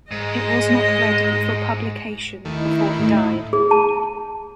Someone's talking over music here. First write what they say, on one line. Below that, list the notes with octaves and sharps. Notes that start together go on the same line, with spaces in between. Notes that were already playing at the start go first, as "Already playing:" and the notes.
It was not ready for publication before he died.
G#2 G#3 D#5
D#2 D#3 A3 D#4 E4
A2
G#4
A5